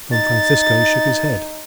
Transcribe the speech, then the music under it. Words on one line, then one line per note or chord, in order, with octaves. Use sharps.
Don Francisco shook his head.
D#4 A6